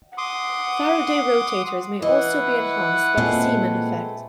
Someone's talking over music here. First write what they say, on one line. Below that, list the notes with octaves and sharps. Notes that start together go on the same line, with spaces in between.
Faraday rotators may be enhanced by the Zeeman effect.
F#5 C6 D6 D#6
E3 B4 D#5 F#5
A#2 G#3 A3 C4